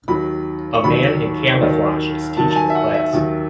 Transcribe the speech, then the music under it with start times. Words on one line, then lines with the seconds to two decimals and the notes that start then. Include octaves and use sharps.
A man in camouflage is teaching a class.
0.08 D#2 D#3 F#3 B5
0.74 C#6
0.84 D#2 D#3 F#3 B5
1.61 D#2 D#3 F#3
2.37 D#2 D#3 F#3 A5
2.48 A5
2.56 G#5
2.70 E5
2.75 F#5
2.94 E5
3.13 D#2 D#3 F#3